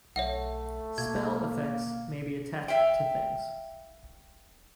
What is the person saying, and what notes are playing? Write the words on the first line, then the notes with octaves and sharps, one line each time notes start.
Spell-effects may be attached to Things.
B1 A3 C#5 E5 F#5
B2 A#3 G#6
E5 F5 G5